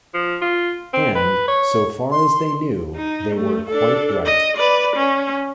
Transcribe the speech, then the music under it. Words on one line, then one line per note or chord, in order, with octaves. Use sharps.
And, so far as they knew, they were quite right.
F3
F4
C4
B4
C#5
C6
D#4
A3
D4 A4
D#5
B4 D5
C#4